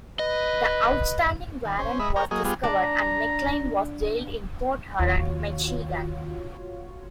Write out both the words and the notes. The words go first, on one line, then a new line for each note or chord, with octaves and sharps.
The outstanding warrant was discovered and McLain was jailed in Port Huron, Michigan.
B4 D#5
D#3
C#4 C5
G#3 D#5 E5 B5
A#4 C#5 G5 A#5
F#3 A#3 G#4 D#5
G3 B3 F4 G#4
D4 A#5
D#2 F4 F#4 C#5